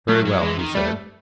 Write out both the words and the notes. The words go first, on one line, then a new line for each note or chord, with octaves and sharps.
"Very well," he said.
F#3 A3
F#3
E3 G#3
D#3
G3 A3